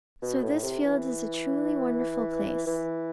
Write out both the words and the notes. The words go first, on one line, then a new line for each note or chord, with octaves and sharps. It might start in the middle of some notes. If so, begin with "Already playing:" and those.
So this field is a truly wonderful place.
B2
A2
C3
E3
E3